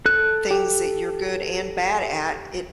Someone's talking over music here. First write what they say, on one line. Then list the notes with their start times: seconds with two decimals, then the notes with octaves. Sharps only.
things that you're good and bad at it
0.06 A4 F#6
0.51 G4